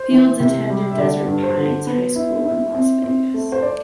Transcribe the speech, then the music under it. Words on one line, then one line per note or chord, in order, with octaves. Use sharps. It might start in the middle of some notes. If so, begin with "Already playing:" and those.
Fields attended Desert Pines High School in Las Vegas.
Already playing: C5
E3
C3
G3
E5
D3 D5
G2
C5
D3
B3
E4
E4
C4
C4
A3
C5
D5